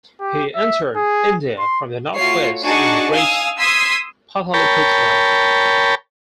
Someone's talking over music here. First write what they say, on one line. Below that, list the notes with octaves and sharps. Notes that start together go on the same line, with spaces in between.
He entered India from the northwest and reached Pataliputra.
G4
E5
G#4
C6
A3 F4 F#4 C#5 C7
D4 D#4 F#4 G#4 A5 C#6
F5 G#5 D#6 E6
C6 D#6 E6 G#6 B6 C7
A#4 C#5 G5 A5 B5